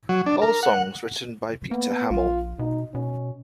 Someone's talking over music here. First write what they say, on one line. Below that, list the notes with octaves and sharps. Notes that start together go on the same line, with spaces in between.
All songs written by Peter Hammill.
F#3
D4
A#4
F#5
A#3 B3
A#1 F4
B2 D#4
B2 C#4